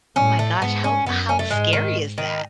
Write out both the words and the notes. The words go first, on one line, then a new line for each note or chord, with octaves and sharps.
Oh my gosh, how how scary is that?
A2 C#4
A3
G#2 B3
C#4
F#2 B3
C#4
A3
G#2 G#3
D#3
D#3